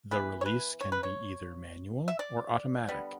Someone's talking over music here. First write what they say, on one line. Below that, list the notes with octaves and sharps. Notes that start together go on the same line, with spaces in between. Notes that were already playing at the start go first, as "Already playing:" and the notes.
The release can be either manual or automatic.
E3 B3 B4
C#5
B4
C#5
B4
C#5
E5
D5
D3 G3 B3